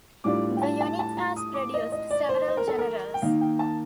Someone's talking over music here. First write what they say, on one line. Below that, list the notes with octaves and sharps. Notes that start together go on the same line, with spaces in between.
The unit has produced several generals.
A2 G3 D4 F4 D6
G5
A5
A5
A5
A#5
D#6
D6
D#5
D#5
D5
C5
C5
A#4
A4
A#4
G5
D#3 A#3 D#4 F5
G5
A5